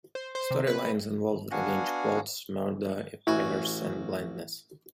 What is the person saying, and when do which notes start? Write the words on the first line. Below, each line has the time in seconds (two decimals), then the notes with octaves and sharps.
Storylines involved revenge plots, murder, affairs, and blindness.
0.15 C5
0.35 C5
0.51 C3
0.67 B4
1.51 B3 D4 F#4 F5 F#5 G#5
3.27 A1 E4 F#4 G#5